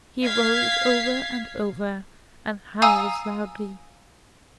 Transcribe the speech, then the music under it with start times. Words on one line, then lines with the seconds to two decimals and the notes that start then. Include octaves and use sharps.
He rolled over and over and howled loudly.
0.24 F5 G#6 B6 C7
2.82 F5 G#5 A#5 D#6 E6 D#7